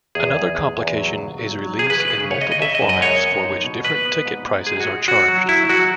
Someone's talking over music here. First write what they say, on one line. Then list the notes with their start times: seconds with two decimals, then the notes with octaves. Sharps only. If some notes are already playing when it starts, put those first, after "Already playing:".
Another complication is release in multiple formats for which different ticket prices are charged.
0.15 E2 G#4
0.36 E2
0.56 G#3
0.77 E2
0.97 F#3
1.18 C#3
1.38 F#3
1.59 F#3
1.79 C#3 G#4
1.90 B4
2.00 A3 B4
2.10 G#4
2.20 C#3
2.31 C#5
2.41 C#3 D#5
2.52 D#5
2.61 C#3 E5
2.75 D#5
2.82 F#2
2.89 D#5
3.02 G#3 C#5
3.23 B3
3.44 D#4
3.64 B2
3.84 B3 B4
4.05 B3
4.26 G#2
4.46 G#2
4.67 G#3 G#4
4.80 F#4
4.87 G#3
5.08 C#4 F#4
5.28 F#3
5.49 E4
5.69 F#3 F#4